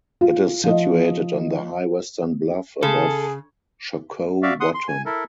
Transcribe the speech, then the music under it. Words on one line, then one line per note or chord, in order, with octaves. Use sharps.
It is situated on the high western bluff above Shockoe Bottom.
F4
F3 D#5
C#3 G#4 A4
F#4 D5 E5 F5
F#5 C6 D#6
C6
G#5
E4 A4 A#4